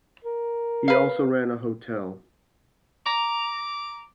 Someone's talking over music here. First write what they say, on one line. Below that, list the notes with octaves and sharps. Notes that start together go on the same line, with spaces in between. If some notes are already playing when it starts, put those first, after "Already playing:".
He also ran a hotel.
A#4
B4 F5
A#5 D6